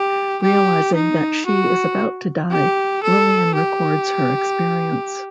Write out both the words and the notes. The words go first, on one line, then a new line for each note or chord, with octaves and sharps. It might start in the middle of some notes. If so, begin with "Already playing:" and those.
Realizing that she is about to die, Lillian records her experience.
Already playing: G4
G4
D#4
F#4
G4
A4
G4